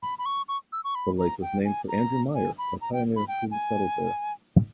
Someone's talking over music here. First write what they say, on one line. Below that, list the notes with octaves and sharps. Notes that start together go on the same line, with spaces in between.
The lake was named for Andrew Meyer, a pioneer who settled there.
B5
B5
C#6
C#6
E6
C#6
B5
A#5
G5
G#5
A#5
G#5
B5
A#5
G5
B5
G5
G#5